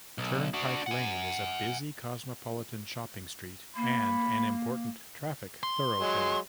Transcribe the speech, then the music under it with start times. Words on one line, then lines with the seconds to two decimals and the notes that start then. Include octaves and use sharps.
Turnpike Lane is a busy cosmopolitan shopping street and an important traffic thoroughfare.
0.18 B1
0.54 D4 F#4
0.86 F#5 G#5
3.76 A#3 B5
5.63 C6
5.99 F#3 G#3